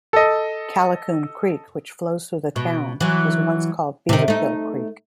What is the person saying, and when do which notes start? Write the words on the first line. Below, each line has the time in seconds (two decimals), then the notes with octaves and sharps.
Callicoon Creek, which flows through the town, was once called Beaverkill Creek.
0.13 A4 D#5
2.56 B2
3.00 E3 F#3
4.09 C3 D#3
4.28 A3 D#4